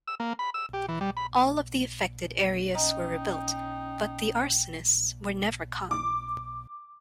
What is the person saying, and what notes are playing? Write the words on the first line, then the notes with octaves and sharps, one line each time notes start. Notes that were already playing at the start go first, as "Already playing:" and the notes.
All of the affected areas were rebuilt, but the arsonists were never caught.
E6
A#3
B5
E6
G4
E3
G3
B5
C#4 D#4 D#5 G5 A#5
D6